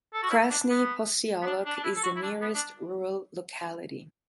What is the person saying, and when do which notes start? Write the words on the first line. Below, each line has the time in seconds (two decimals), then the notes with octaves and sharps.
Krasny Posyolok is the nearest rural locality.
0.14 A4
0.23 F#4
0.30 E4
0.50 D4
0.70 B3
1.42 B3
1.46 D4
1.66 D4
1.76 D4
1.84 E4
1.96 A4
2.03 F#4
2.16 E4
2.23 D4
2.41 B3
2.54 D4